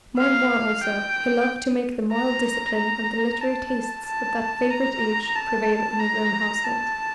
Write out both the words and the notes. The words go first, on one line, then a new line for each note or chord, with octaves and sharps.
More and more also he loved to make the moral discipline and the literary tastes of that favourite age prevail in his own household.
F5
G5
A#5
A#5
A5
A5
A#5
A5
A#5
A5